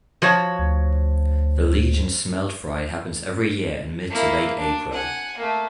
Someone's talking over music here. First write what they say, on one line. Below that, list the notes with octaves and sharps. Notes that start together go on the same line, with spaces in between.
The Legion's Smelt Fry happens every year in mid to late April.
F3 F#4 C#5
D2
A#3 E4
D4
F#5 G#5
A3 A#3